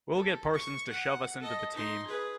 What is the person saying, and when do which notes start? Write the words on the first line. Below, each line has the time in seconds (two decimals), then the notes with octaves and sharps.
We'll get Parsons to shove us into the team.
0.14 A4
0.53 C#6
0.90 F#5
1.40 A4 D#5
1.73 D#4 C6
2.06 G#4 B4